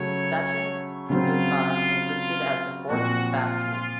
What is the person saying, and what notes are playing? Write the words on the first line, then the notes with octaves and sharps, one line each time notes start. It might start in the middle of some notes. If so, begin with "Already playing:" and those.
Sachin Tendulkar was listed as the fourth batsman.
Already playing: C#3 F#3 A3 C#5
C#3 F#3 C4 F4
A#2 F3 C4 F#4
F4